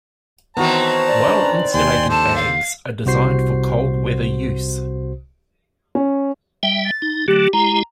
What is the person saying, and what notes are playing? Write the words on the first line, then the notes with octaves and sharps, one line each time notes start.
Well-insulated bags are designed for cold weather use.
D#3 E3 B3 C4 F#4 C#5 A5 A#5
D5
C#4 D4 B4
D#2 G5 G#5 C6
D4 A4 C5 A5
F5
C2 C3 F#4 C5 C7
C#4
G3 E5 G5
A6
D#4
D3 F#3 A3 G4
G#3 E4 G4 A#5